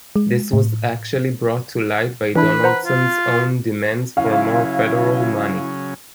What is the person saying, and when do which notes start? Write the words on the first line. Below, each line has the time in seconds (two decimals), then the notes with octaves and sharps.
This was actually brought to light by Donaldson's own demands for more Federal money.
0.16 G#3
0.53 A2
2.36 E3 D4 E4 B4
2.64 C5 F#5 A#5
2.85 F4
4.17 C#3 F#3 C#4 E4 F5